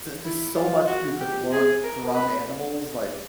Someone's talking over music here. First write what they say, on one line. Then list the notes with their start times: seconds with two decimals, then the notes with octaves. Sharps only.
there's, just, so much you could learn from animals like
0.24 E4
0.56 F4
0.87 F#4
1.19 G4
1.51 G#4
1.83 A#4
2.14 B4